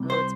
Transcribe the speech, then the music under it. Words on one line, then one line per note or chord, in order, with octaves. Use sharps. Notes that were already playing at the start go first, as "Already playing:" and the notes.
Oh, it's
Already playing: C2 C3 G3
C5